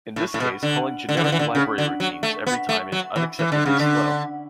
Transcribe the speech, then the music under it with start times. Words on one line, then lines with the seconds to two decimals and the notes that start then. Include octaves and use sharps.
In this case, calling generic library routines every time is unacceptably slow.
0.16 A2
0.34 A2
0.40 B2
0.63 D3
1.09 D3
1.17 E3
1.24 D3
1.32 E3
1.39 D3
1.55 C#3
1.78 D3
2.00 F#3
2.23 A3
2.47 B3
2.69 A3
2.92 F#3
3.16 E3
3.39 E3
3.52 D3
3.66 C#3
3.79 D3